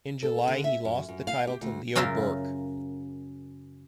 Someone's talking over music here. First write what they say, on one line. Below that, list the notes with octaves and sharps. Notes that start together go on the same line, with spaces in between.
In July, he lost the title to Leo Burke.
A4
D3
E5
F#2
F#2
F5
G4
D2
F#2 C#3 F4 A#4 E5